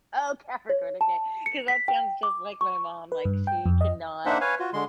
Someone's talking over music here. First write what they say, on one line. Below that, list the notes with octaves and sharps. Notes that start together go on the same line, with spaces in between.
Oh, Capricorn, okay, 'cause that sounds just like my mom, like, she cannot
C#5
A5
C#7
B6
G5
D6
C#6
B4
G2
G5
F2
D#5
A#3 D4 D#4 C5 E5 F#5
B4 C#5 F5 G#5
F4 F#4
D3 G#3 C6